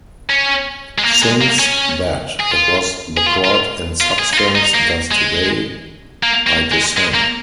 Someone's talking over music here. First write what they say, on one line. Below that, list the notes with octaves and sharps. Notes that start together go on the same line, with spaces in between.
Since that is what the Court in substance does today, I dissent.
C#4
G#3
A#3
G#3
A#3
C#4
G#4
F4
G#4
F4
F4
F4
G#4
D#4
F4
D#4
A#3
G#3
A#3
A#3
G#3
G#3
A#3